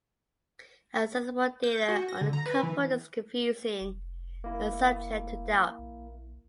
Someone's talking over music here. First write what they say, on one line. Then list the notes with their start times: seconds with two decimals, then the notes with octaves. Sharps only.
Accessible data on the couple is confusing and subject to doubt.
1.64 G6
1.89 F#4
2.09 A#6
2.21 D3
2.33 A#5
2.46 B4
2.63 E3
3.81 F1
4.44 A#3 E4
5.79 A#1